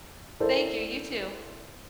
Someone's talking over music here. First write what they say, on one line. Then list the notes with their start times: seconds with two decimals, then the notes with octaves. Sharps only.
Thank you, you too.
0.40 E4 A4 A#4 C5 D5